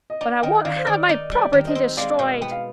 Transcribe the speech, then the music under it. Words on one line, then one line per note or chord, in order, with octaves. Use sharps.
"But I won't have my property destroyed."
D#5
D#4 D5
D#3 D#5 G5
D#3 D5 F5
C5
D#3 D5
D#4 D5
G3
D5
D#3
C5 D#5
C4
G#3 D5 F5
B2
B3 G5
F5